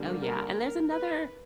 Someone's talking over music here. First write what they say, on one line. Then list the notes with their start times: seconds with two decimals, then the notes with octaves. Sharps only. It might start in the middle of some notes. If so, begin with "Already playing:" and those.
Oh yeah, and there's another,
Already playing: D3 G3 A#3
0.22 A#4
0.57 A#4
0.91 B4